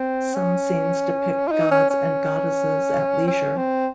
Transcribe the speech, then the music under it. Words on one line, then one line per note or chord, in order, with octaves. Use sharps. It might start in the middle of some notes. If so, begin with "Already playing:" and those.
Some scenes depict gods and goddesses at leisure.
Already playing: C4
C#4
F4
D#4
C#4
C#4
C#4
C4